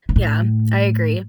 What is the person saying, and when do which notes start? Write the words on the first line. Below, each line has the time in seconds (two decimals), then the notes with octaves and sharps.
Yeah, I agree,
0.09 G2
0.16 A2